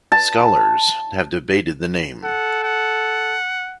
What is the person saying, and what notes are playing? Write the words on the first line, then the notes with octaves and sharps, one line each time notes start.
Scholars have debated the name.
A5
A4 F#5
F#5